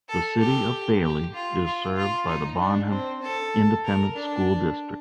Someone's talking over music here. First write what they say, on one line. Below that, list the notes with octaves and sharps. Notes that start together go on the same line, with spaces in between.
The City of Bailey is served by the Bonham Independent School District.
A4
G4
G4
F4
F4
F4
D#4
D4
C4
A4
A#4
D4